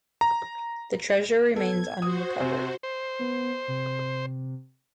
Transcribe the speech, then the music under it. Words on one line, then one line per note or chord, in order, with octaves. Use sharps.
The treasure remains unrecovered.
A#5
B3 A4 G#6
F#4 C5 D#6
C3 G#5
C5
B3
C3